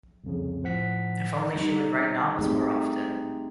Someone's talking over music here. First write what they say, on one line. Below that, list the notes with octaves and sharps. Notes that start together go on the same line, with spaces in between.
If only she would write novels more often!
C2 F2 C#3
A2 F3 C5 F#5 B6
G3 D#4
A3 C4 D#4 G4 G#4